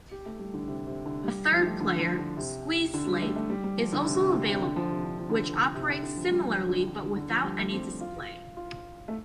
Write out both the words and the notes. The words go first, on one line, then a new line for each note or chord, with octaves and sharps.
A third player, SqueezeSlave, is also available, which operates similarly but without any display.
G4
A3
G3
D3
C3
C3
D3
G3
F3
G3
A3
D3
F3
D3
C3
D3
G3
A3
A3
G3
G3
F3
D3
C3
C3
D3
C3
D3
F3
C3
D3
F3
D3
F3
D3
C3
D3
D3
F3
G3
F3
D3
D3
D3
D3
F3
G3
A3
C4
F4
F4
A3